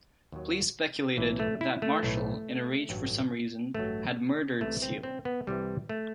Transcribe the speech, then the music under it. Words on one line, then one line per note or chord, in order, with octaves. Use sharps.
Police speculated that Marshall, in a rage for some reason, had murdered Seale.
D#2 D#3 F#3
B1 A2 E3
A3
E4
A3
B1 A2 E3
A1 G2 F#3
A1 G2 F#3 A3
C2 C3 E3 A3
C4
C4
B3
C2 C3 E3 G3
A3